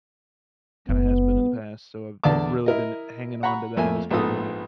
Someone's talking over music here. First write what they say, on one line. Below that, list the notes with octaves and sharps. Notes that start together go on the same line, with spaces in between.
kinda has been in the past, so, I've I've really been hanging on to that as kinda my
F#1 B3
E2 D3 D5 A5 D6
E4 A#4 D#5
F#5 A#5 B5 C#6
F2 A3 A#3 G#5
A#1 G#2 B3 F4 A4 D#6